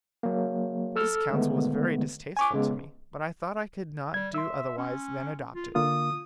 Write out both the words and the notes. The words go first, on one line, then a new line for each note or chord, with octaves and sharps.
This counsel was very distasteful to me, but I thought I could not do otherwise than adopt it.
F#3 A#3
A4 E6 F6
D3 D#3 G#3 A3 B3
G#5 C#6 D6
C#3 G#3 B3
G3 G#6
E5 C6 E6
C#4
F4
D3 A#3 F4 D#6